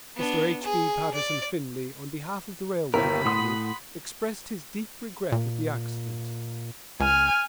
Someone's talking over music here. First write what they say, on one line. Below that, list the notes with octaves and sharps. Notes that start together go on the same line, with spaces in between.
Mr. H. B. Patterson Finlay, on behalf of the railway company, expressed his deep regret at the accident.
B3 D4
G#4
D5
G1 D#2 E4 A#4 B5
A2 F#5 C6 D#6
A#2
C#2 G#5 F6